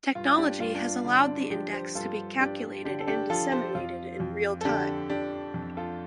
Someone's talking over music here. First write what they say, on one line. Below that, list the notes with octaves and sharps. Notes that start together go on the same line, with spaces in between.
Technology has allowed the index to be calculated and disseminated in real time.
G2 F4
D4 G4
G2 F4
D4
F4
D3 D4
D4
F4
F3 D4 G4
G4 C5
G2 F4 A4
G2 D4 G4
D3 D4 G4
A4
D4 G4
F3 F4 A4
G4 C5
F2 F4
F2
A4
D3 D4 G4
F3 D4 G4
F2
F4 A4